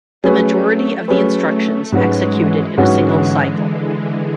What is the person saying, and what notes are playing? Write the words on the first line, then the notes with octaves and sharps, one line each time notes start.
The majority of the instructions executed in a single cycle.
F#3 A3 C#4 G#4 B4
F#3 C#4 G#4 B4
G#2 F#3 G#3 C#4 F#4 B4
E3
G#2 D3 F#3 C#4 F#4 B4